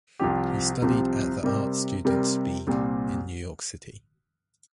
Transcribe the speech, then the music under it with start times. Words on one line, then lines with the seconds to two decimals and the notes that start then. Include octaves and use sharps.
He studied at the Art Students League in New York City.
0.19 C2 C3 F3 C4 G4
0.82 C2 C3 F3 C4 G4
1.43 C3 G3 C4 G4 A#4
2.05 C3 G3 C4 G4 A#4
2.67 C2 A#2 G3 C4